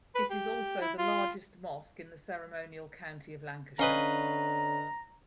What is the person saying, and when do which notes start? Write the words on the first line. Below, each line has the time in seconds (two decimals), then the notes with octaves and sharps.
It is also the largest mosque in the ceremonial county of Lancashire.
0.15 B4
0.31 G4
0.81 E4
0.98 F4
3.79 D3 C#4 B4 D#5 F5 A#5